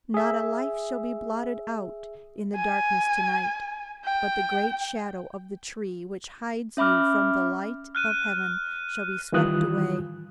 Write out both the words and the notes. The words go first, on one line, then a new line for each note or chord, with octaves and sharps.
Not a life shall be blotted out in the darkness tonight; but the great shadow of the tree which hides you from the light of heaven shall be swept away.
G#4 E5
G#5
G5
C#4 E5 B5 D6 F6
F6 F#6 D#7
D#3 E3 G3 F4 D#6 F#6